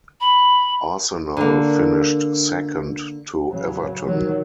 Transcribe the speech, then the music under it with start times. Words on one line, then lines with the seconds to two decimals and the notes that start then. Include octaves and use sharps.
Arsenal finished second to Everton.
0.21 B5
1.37 D3 A#3
3.51 C#3 F#3
4.06 D#3 F#3